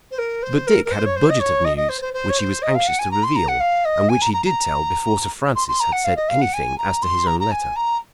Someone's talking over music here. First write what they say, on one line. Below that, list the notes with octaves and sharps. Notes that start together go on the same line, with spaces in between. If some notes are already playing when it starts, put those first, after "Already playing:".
But Dick had a budget of news which he was anxious to reveal, and which he did tell before Sir Francis had said anything as to his own letter.
C5
A#4
C5
A#4
A#4
C5
C#5
C5
D#5
C#5
D#5
D#5
C5
C5
C5
C#5
C5
D#5
F5
F#5
G#5
A#5
C6
A#5
F#5
F5
D#5
G#5
A#5
A#5
A#5
C6
C6
A#5
F#5
F5
D#5
F5
F#5
G#5
A#5
C6
A#5
A#5
G#5
A#5